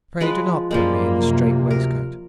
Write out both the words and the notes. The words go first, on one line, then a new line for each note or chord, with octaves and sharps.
Pray do not put me in a strait-waistcoat.
F3 G#3 B4
F#2 F3 G3 G#3 A#3
D2 C3
A#4